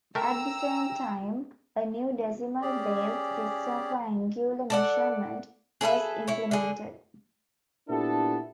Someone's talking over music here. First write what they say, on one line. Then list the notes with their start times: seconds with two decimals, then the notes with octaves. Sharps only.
At the same time, a new decimal-based system for angular measurement was implemented.
0.15 A3 A#4 G5 A#5 E6
2.62 C#4 G4 G#4 D5
4.70 A4 D5 F#5
5.81 G#4 A4 B4 E5
6.27 E4 C#5
6.51 D3 G#4
7.89 A#2 B3 D4 E4 G4 A4